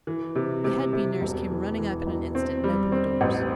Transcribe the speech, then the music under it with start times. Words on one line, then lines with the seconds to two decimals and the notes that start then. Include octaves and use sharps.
The head Bee Nurse came running up in an instant and opened the doors.
0.07 E3
0.35 C3
0.64 C3
0.93 C3
1.21 E1
1.50 E3
1.78 E3
2.07 E1
2.35 C4
2.64 G3
2.92 C4
3.21 A1